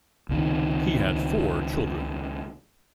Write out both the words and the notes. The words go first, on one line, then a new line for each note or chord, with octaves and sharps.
He had four children.
C#2 C3 D#3